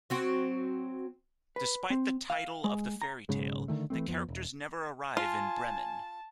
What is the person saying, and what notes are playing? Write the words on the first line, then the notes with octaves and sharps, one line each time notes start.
Despite the title of the fairy tale, the characters never arrive in Bremen.
F#3 C4 F#4
B4
C4
F5
G#3
A#5
B1 G#2 C#3 G#3
D3 D#3 A3
E3 G3 A3 C4
F2 F3 B3
E1
F4 G#5 A5